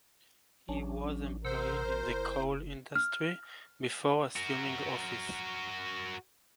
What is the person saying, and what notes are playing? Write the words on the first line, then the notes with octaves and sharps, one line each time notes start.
He was employed in the coal industry before assuming office.
A1 F#3 C#4 D4
C3 A#4 C5 F#5 E6
F#1 E4
F6
F#4 A#4